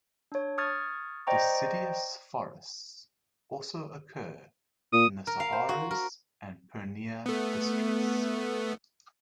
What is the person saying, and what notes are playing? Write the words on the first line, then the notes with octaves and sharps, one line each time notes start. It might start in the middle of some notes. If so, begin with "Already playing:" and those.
Deciduous forests also occur in the Saharsa and Purnia districts.
D4 C#5
C#6 D#6 F6 G#6 A6
C5 D5 D#5 G5 A#5 C#6
A#2 D#6
A#4
F5
C5
F#4
A#4
A3 B3